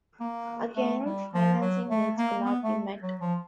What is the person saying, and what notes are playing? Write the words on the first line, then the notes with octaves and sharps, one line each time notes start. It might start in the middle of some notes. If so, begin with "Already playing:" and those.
Again, financing needs could not be met.
A#3
A3
G3
F3
F#3
A3
A#3
B3
A3
F#3
F3